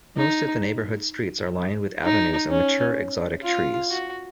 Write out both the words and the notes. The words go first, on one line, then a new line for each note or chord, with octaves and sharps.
Most of the neighbourhood's streets are lined with avenues of mature exotic trees.
D#4
D#4
C#4
F4
F#4